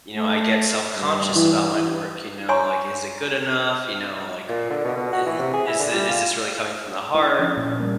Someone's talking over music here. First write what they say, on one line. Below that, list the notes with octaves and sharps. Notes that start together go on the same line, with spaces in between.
you know, I get self-conscious about my work, you know, like, "Is it good enough," you know, like, "I i is this is this really coming from the heart,"
A3
G2
E3
C#5 G#5 A#5 C6 C#6
A#2
D3
B2
B2
F#4
E3
C3
G#4
E4
D3
G3
F4
G#3 E4 B4
F3 C#4 D4
A#2
G3 A#3